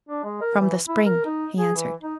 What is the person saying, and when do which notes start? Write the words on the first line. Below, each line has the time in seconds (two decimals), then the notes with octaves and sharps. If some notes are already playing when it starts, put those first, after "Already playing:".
"From the spring," he answered.
0.09 D4
0.24 G#3
0.41 A#4
0.58 E3
0.88 E4
1.06 A#4
1.26 D#4
1.59 G#4
1.75 E3
2.02 D#4